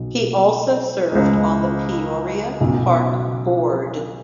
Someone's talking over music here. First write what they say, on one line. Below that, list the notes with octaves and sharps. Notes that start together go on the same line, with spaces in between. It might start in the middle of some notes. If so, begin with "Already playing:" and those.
He also served on the Peoria Park Board.
Already playing: B1 B2 F#3
C#2 C#3 G#3
B1 B2 F#3 C#4